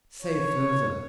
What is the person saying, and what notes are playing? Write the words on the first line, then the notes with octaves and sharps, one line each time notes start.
Say further.
C#5